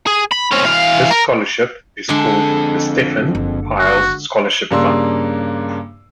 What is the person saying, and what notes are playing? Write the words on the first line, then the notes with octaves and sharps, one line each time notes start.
This scholarship is called The Stephan Pyles Scholarship Fund.
G#4
B5
C4 C#4
E3 F5
A#4
F2 D3 G#3 A5
F#1
F#4
G2 C#3 A#3 D4 C6 E6